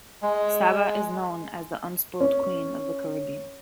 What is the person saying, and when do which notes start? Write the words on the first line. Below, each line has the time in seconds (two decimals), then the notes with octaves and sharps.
Saba is known as "The Unspoiled Queen" of the Caribbean.
0.22 G#3
2.20 C#4